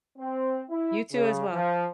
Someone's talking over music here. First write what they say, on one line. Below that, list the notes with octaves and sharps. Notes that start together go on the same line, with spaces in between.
You too as well.
C4
E4
C#3
F3